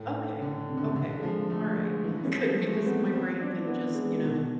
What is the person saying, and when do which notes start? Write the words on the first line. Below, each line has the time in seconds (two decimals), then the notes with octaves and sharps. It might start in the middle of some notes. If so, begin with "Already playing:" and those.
Okay, okay, all right, good, because my brain can just, you know,
Already playing: A2
0.42 D3
0.69 C3
0.77 D3
0.86 C3
0.96 D3
1.19 G#3
1.23 F3
1.50 A3
1.78 G#3
2.04 E3
2.31 F3
2.59 A3
2.68 G#3
2.76 A3
2.82 C4
2.86 B3
3.13 C4
3.40 D4
3.67 B3
3.94 G#3
4.22 B2